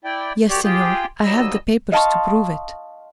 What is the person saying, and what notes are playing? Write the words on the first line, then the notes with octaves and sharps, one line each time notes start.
"Yes, Senor; I have the papers to prove it."
E4 D5 G5
F#2 G4 C#5 D5
F4 G4 G#4 G5
D#2 F#3 G3 D#5 E6
D#5 F5 A5 C6 C#6